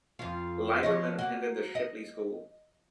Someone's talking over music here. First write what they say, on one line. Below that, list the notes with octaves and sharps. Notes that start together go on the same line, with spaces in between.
Lieberman attended The Shipley School.
F2 F4
F3 C#4 D#5
A#3 F#4
D#5